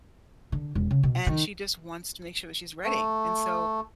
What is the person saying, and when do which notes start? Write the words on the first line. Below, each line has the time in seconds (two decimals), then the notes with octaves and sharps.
and she just wants to make sure that she's ready, and so
0.52 D3
0.75 E1
0.91 C#3
1.03 B2
1.27 D#3
2.84 A3